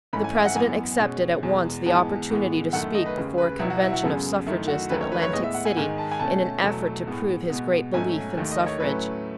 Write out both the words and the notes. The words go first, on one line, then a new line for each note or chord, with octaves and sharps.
The President accepted at once the opportunity to speak before a convention of suffragists at Atlantic City in an effort to prove his great belief in suffrage.
G#2 E3 A3 C#4 B5
G#5
E5
F#5
F#2 E3 B3 G#5
B2 G#3 C#4
E2 B2 G#3
G#2 E3 G#3 B3 A5
A2 E3 G#3 B3
F#2 D#3 A3 F#5
D#5
B4
D#2 C#3 G#3
B4
C#2 B2 F#3 B3 E4
F#4
E4
F#4
F#2 C#3 G#3 B3 A4
F#2 D#3 A3 E4
F#4
D#2 D#3 F#3 A3 C#4 B4
C#5
B4
C#5
A2 G#3 B3 D#5
E5
F#5
G#5
G#2 D#3 G#3 G#5
A5
G#5
B2 A3 C#4 A5
E2 B2 F#3 A3
A2 G#3 B3
B2 G#3 B3
G#2 F#3 A3 C#4 G#5
D#2 D#3 A3
D#5
C#5
A2 F#3 A3 C#4 B4